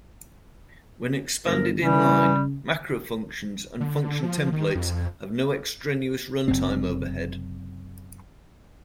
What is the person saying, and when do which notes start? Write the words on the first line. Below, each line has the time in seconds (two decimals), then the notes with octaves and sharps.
When expanded inline, macro functions and function templates have no extraneous runtime overhead.
1.46 G1 A#4
1.82 C#3 E3 G3
3.80 D3
4.23 F3
4.52 D#3
4.75 F2
6.48 F#1 F#2 C3 C4